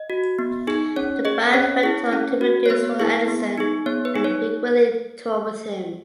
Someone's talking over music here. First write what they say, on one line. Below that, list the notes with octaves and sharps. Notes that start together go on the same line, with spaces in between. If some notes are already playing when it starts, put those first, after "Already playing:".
The band went on to produce for Anderson and frequently tour with him.
Already playing: D#5
F#4
B3
D#4 G#4
C#4 C#5
G#4 D#5
C#4 C#5
E4 G#4
C#4
F#4
C#5
B3 B4
E4 G#4
B3
D#4 G#4
B3 C#5
B4
D#4 G#4
C#5